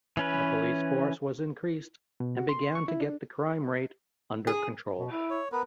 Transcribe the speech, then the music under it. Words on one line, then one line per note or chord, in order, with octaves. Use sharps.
The police force was increased and began to get the crime rate under control.
E3 C#4 B4
B2
F#4
C6
C#6
E4
D4
G#4
B2
E4
C#5
B3 A#4 B4